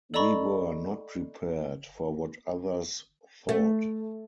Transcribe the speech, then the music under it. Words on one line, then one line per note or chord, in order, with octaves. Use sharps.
We were not prepared for what others thought.
A4 D5 D#5 A#5 B5 C#6
A3